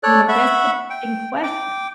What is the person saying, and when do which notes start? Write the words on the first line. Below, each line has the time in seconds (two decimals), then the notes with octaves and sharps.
You know, that's the big question.
0.03 A4 C#5 D5 F#6
0.28 E5 F#5 B5 C#6
0.90 G5
1.43 G5 D6